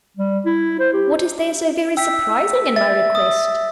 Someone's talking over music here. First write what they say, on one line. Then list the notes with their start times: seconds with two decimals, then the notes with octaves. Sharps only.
"What is there so very surprising in my request?"
0.17 G3
0.46 E4
0.80 C5
0.93 G4
1.97 G5 E6 B6
2.76 E5 A6
3.15 D#6